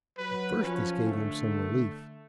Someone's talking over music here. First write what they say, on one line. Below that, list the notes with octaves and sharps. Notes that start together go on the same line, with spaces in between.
At first this gave him some relief.
F#3 B4
F3 C#4
D3 A3